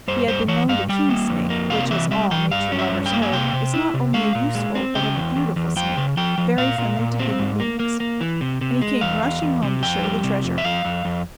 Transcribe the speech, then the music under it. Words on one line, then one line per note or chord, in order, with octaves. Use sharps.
He had been loaned a king-snake, which, as all nature-lovers know, is not only a useful but a beautiful snake, very friendly to human beings; and he came rushing home to show the treasure.
G2 C5
G2 C5
E3 C#5
G2 F5
G3 G5
A#3
F2
A#3
C3 F5
E3 E5
G3 E5
E3 G5
G2 F5
C#4
E5
G2
G5
A#3
G#5
C3 G5
C3
E4
C3
G#3 F5
A#2
G#3
C4
C#3 G5
E2
E2
E2
F2 G5
C#3
F3 G5
F3
A#2 F5
A#2
A#2
C4
G#2
A#3
A#3
A#3
E3
C3
C3
G#3
E2 F5
E2
E2
C3
F2 G5
G3
C3
F2
E5
F2 F5
F2
F2